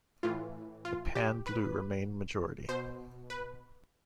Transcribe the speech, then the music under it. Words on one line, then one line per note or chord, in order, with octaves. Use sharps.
The pan-blue remained majority.
A2 E3 F4
F4
G4
B4
B2 C5
B4